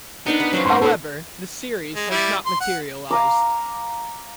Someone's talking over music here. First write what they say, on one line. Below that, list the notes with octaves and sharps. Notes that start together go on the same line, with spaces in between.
However, the series has not materialized.
B3 D4 D#4 A#4
B4 F#5
F#3 C#4 F4 B4 C5
G#2 A#3 F#5 C6
A#2 A#3 A4
G#3
G3 E4 D5
C6
F#5
F5 A#5 D6